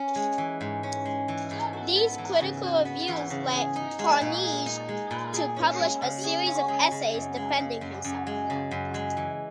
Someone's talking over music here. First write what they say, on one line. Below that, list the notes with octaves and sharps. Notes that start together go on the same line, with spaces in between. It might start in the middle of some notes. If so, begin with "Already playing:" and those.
These critical reviews led Carnegie to publish a series of essays defending himself.
Already playing: C#4
G#3
E3
G#2
C#4
G#3
E3
G#2
F#4
B3
E3
C#3
F#4
B3
E3
C#3
G#4
D#4
G#3
A#2
G#4
D#4
G#3
A#2
G#4
C#4
G#3
C#3
G#4
C#4
G#3
C#3
F#2
G#3
C#3
F#2
F#2
G#3
C#3
F#2
G#3
E3